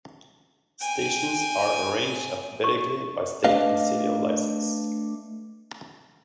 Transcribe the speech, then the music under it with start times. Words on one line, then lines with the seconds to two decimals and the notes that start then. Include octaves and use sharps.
Stations are arranged alphabetically by state and city of license.
0.81 G5 G#5
2.64 C#6
3.44 A3 D4 B4 D#5 F5